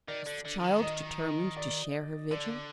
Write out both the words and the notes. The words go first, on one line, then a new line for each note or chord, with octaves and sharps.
Was the child determined to share her vigil?
D#3 D5
D3
D3
D3
D#3
D#5
D5
D3 D5